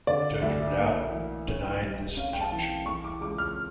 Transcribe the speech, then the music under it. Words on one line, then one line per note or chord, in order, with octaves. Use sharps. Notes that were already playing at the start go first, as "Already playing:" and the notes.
Judge Rideout denied this injunction.
D3 D5
D2 E5
A#3
E3
C#4
G3
C#4 F5
G5
A5
E3
E3 C#6
D6
C#2 D6
F6